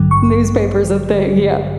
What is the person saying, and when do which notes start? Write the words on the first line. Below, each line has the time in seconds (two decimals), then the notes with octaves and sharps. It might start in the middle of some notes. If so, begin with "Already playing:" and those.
Newspaper's a thing. Yeah.
Already playing: A1 G2 D3 F#3
0.11 C#6